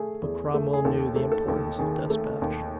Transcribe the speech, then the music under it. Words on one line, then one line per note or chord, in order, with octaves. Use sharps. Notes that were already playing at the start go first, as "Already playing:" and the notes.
But Cromwell knew the importance of despatch.
Already playing: A3 G#4
E2
A3
G#4
D#2 A4
A3
A4
D#2
D#3 G#4
A3
D#2